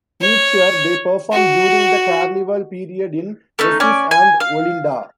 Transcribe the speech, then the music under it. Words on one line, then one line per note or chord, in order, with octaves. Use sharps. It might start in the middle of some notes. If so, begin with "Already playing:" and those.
Each year they perform during the Carnival period in Recife and Olinda.
C#5
F#4
A3 C#4 D#4
C#4 D5 G#5
G#5
F5